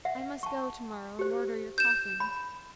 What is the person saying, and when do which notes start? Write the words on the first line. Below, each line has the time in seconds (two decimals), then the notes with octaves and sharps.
I must go to-morrow and order your coffin.'
0.05 E5 F#5
0.43 A5 C#6
1.19 G4 C5
1.78 G6 E7
2.20 B5